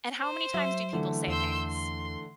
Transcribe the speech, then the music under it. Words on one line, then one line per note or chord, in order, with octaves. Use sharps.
And how many times do people say things
C5
F#3 E5
D3 E3 A3
E2 C6 E6 G6
C6